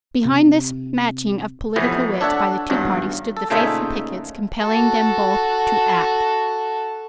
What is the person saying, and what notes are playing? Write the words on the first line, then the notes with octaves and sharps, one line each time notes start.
Behind this matching of political wits by the two parties stood the faithful pickets compelling them both to act.
C3
F2 A2 C3 E3 B3
D4 A4 C#5 E5 F#5 A5
G#1 E2 G2 F#3
A4
A#2 C#3 A3 D#4 C5 E5
F#4 A4